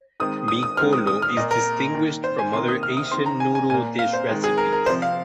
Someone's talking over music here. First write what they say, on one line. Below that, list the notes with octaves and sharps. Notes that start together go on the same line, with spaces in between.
Mee kolo is distinguished from other Asian noodle dish recipes.
D#3 G#3 C4 D#6
D#6
D#6
D#3 G#3 C4 F6
D#6
D#6
F6
A#2 A#3 D#5
A#4
D#3 A#3
C5
G#5
C3 D#3 A#3 C6
D#6
F6
D#6
D#3 C4 C6
A#5
G#5
G#5
A#2 A#3 G#5
F5
C5
D#3 G#3 C4
G#4
A#4
A#4
C3 F3 C4 C5
F5